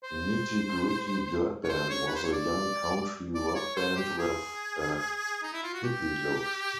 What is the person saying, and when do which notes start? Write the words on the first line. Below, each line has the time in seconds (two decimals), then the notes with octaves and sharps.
Nitty Gritty Dirt Band was a young country-rock band with a hippie look.
0.03 C5
1.64 C#5
1.69 C5
1.90 C#5
2.07 B4
2.16 C5
2.24 C#5
2.32 D5
3.35 D5
3.48 D5
3.55 C#5
3.76 C5
3.97 G4
4.18 G#4
5.43 D#4
5.53 E4
5.63 F4
5.74 F#4
5.84 G4